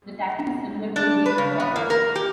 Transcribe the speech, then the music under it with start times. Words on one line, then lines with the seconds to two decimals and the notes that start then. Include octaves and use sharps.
The tactic is similar to leapfrogging.
0.96 D4
1.26 B4
1.38 C#3
1.60 B3
1.76 A#3
1.90 A#4
2.15 G4